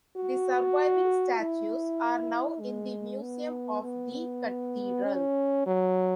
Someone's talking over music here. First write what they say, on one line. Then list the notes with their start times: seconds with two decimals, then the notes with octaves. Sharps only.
The surviving statues are now in the Museum of the Cathedral.
0.17 F#4
1.39 E4
2.60 G#3
3.22 B3
3.83 B3
5.05 C#4
5.66 F#3